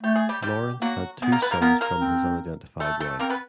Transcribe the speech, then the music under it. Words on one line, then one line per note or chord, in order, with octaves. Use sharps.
Lawrence had two sons from his unidentified wife.
A3 G4
G#4
G3 G4
G3 G4
F#3 A#3 F#4
G#3 B3 G#4
A#3 A#4
B3 B4
A#3 A#4
A#3 B3 A#4
A#3 A#4
C4
A3 A4
A3 A4
A#3 C4 A#4
B3 B4